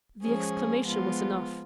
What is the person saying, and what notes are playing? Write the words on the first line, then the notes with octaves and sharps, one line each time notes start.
The exclamation was enough.
F3 G#3 C#4 G#4
F3 G#3 B3 F4